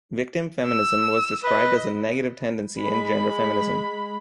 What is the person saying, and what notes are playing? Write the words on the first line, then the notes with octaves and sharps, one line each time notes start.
Victim feminism was described as a negative tendency in gender feminism.
E6
B4 D#5
G#3 B5